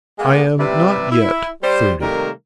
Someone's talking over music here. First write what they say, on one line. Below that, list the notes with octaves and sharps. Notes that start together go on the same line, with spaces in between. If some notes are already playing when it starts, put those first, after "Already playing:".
'I am not yet thirty.'
G#3 A#3 B3
C3 G3 E4 B4 D5 E5
E4
G3 C5
C3 D#3 G3 A3 A#3 A#4